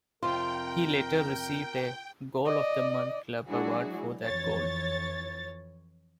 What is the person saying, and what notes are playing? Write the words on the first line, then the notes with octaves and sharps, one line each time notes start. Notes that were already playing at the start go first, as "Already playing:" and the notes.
He later received a "Goal of the Month" club award for that goal.
F2 C3 F4 A#4 C5 G5
D5 D#5
F#3 G#3 D4 E4 F#4 G#4
F2 E3 C#5 A6